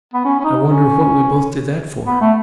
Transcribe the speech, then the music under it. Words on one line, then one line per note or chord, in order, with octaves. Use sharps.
"I wonder what we both did that for?"
B3
C#4
C#4
D#4
C#4
B3
A3